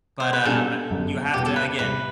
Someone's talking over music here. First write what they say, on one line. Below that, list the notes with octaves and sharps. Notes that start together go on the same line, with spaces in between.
But, um, you have to again,
C5
B4
B2 G3 D4 G4 A4
G1 F#2 D3 G3
E2 B2 G3 B3 G4
A4
B4
E2 C3 G3 B3 B4